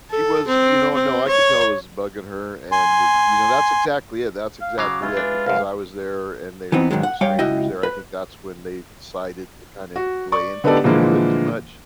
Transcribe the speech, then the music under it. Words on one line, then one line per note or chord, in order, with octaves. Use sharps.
She was, you know no, I could tell it was bugging her, and, you know, that's exactly it, that's exactly it, because I was there and they were kinda strangers there; I think that's when they decided to kinda lay into him a little bit too much.
A4
C4
C4
C#5
G#5 C6
F5
C#3 F#3 F5 D6
G#3 E4 F4 B4
D4
C2 F#2 F5
E3 B3 C4 D#4
G#2 D#3 F#3 G#3
F#5
G3 C#5 F5 G5
C#2 E4 F#4 D#5 G5
B4
F#4
D5 C#6
D3 B3 D#4 G4 A4 D5
A#2 D3 E3 F3 G#3 A#3